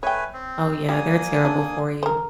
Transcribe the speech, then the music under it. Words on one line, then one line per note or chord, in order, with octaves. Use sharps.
Oh yeah, they're terrible for you.
A3 B4 C#5 G5 G#5
C4
G3 A#3 G#5 D#6
D4
A#4 C5